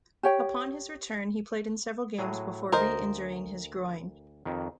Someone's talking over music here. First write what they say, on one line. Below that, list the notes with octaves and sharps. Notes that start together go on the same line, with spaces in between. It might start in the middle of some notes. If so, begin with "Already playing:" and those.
Upon his return, he played in several games before re-injuring his groin.
G4 C#5 G5
A2 F#3 G#4
D2 A#4 C5 D#5
F2 D#3